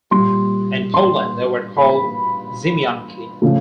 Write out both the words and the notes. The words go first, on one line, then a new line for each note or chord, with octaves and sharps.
In Poland they were called "ziemianki".
A#2 G3 C6
C6
B5
C#3 F3 A3